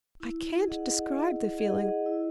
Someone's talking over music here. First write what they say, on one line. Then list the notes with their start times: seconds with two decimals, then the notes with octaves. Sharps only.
I can't describe the feeling.
0.20 E4
0.66 G#4 D#5 F#5
1.13 E4
1.59 G#4 D#5 F#5
2.06 E4